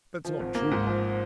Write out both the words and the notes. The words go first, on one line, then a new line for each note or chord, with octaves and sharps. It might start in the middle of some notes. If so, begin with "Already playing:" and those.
That's not true.
F3
G#1
A#3
G#2
F3